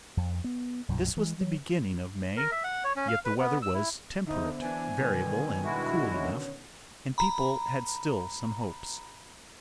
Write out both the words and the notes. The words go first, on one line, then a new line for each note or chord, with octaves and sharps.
This was the beginning of May, yet the weather was temperate, variable, and cool enough, and people had still some hopes.
F2
B3
B1 F#2 A#2
E3 G#3
F#3
A#4
E5
F#5
C#5
C#4
F5
B4
B3
E6
E4
D3 B3 D#4 C5 E5
E3 D4 G#5
B2 D3 D#3 G3 B4 G5
G#3 E4 F#4
C#4 C#5
A#5 B5